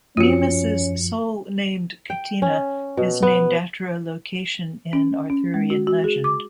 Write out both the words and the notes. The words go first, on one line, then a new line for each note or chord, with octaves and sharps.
Mimas's sole named catena is named after a location in Arthurian legend.
F#2 F3 C#4 F4 F#4 C#7
G5
C#4
B2
B3
C#4
C#4
G#3
F#4
F#4
G#4
D6